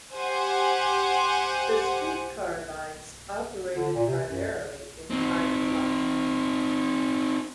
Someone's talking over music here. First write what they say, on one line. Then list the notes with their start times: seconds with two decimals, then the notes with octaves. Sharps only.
The street car lines operated primarily in Pine Bluff.
0.14 G4 C5 F#5 G#5
3.75 D3
3.95 A#2
4.07 C3
4.29 F#2
5.10 C4 D#4